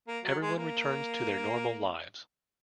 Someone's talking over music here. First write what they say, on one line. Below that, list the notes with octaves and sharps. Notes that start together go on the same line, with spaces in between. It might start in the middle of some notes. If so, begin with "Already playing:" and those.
Everyone returns to their normal lives.
A#3
F#3
G#3
A#3